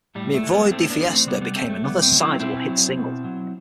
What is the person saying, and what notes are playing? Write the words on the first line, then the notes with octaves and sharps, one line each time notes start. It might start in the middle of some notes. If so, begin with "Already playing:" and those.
"Me Voy De Fiesta" became another sizable hit single.
A2 G3
A3
E3
G3 B3
A2 A3 C4
B3 D4
E3
A3 C4
C3 G3 B3
G3 B3
F#3 A3 C4
A3
C3 G3 B3
A3 C4
F#3
C4 E4
B2 C4 E4
F#3
B2
F#3